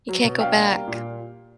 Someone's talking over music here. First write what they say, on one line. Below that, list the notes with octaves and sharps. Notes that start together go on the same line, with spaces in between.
You can't go back.
F#3
B2
D4 F5 G5
A#3
G3
A#2